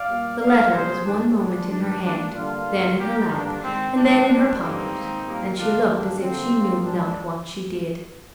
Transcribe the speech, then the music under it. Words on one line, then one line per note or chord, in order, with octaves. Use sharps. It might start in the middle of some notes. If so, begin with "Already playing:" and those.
The letter was one moment in her hand, then in her lap, and then in her pocket; and she looked as if she knew not what she did.
Already playing: D5 F5
A#2 G3 A#3
G#2 F3 A#3 D5 F5
C3 G3 A#3 G#4 C5
G2 D#3 G3 D4
A#2 G#3 D4
G2 D#3 G#3 D4
G#2 G3 A#3 D4
D3 G3 A#3 D4 F4
G2 D3 G3 A#3
G#2 G3 A#3 G4 A#4
G2 D3 G3 A#3 D4
G#2 D#3 G#3 C4
C3 D#3 G#3 D4
G#2 G3 A#3 D4
G2 D3 G3 A#3 C4 D#4
G#2 D#3 A#3
A#2 G3 A#3
D3 G3 A#3 D4 F4
G2 D3 G3 A#3 D4
D3 G3 A#3 C4
G#2 G3 A#3
A#2 G#3 D4